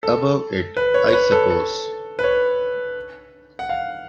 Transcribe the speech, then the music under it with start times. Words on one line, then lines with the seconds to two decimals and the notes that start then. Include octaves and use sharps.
Above it, I suppose?
0.03 A4
0.77 B4
0.94 C#5
1.08 C#5
1.13 B4
1.32 A4
1.50 A4
2.19 B4
2.23 C#5
3.59 F#5
3.69 F5